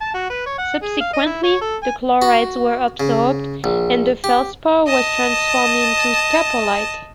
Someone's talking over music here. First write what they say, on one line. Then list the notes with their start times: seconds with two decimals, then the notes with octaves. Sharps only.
Subsequently the chlorides were absorbed, and the feldspar was transformed into scapolite.
0.01 A5
0.14 F#4
0.30 B4
0.46 C#5
0.58 F#5
0.82 G#4
1.00 F5
1.13 D#5
1.26 E4
1.43 C#5
1.61 A4
1.83 G#5
2.22 F#4
3.00 C#3
3.64 A#1
4.24 G4
4.87 D#5 A5